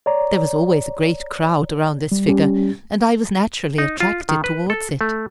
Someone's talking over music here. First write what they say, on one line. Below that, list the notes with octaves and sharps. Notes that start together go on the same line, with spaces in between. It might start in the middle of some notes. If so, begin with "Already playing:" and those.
There was always a great crowd around this figure, and I was naturally attracted towards it.
C#5 D5 A#5
G3
G3 C#4 G4
D#4
F4
D#3
B4
A4
A3